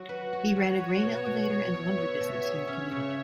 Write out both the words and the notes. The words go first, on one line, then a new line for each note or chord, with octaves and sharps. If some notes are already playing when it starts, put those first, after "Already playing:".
He ran a grain elevator and lumber business in the community.
Already playing: F#3 F#4
B4
F#4 C#5
F#3
C#5
B4
B2 C#5
B2
C#5
B3
B2 E5
B3
C#5
B2
G#4 C#5
C#4
E5
C#3